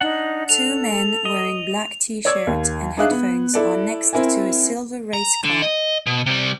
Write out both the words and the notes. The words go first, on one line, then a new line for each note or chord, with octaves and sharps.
Two men wearing black tshirt and headphones are next to a silver race car.
D4 D#4 F#5
A4 F7
D#5
C#5 D5 E6 G#6
D#2
D4 D#4 G#4 E5 F5 F#6
B3
E4 A4 D5
C4 E4 A#4 G#5
A#5
D3
D#5
B2
C3 G3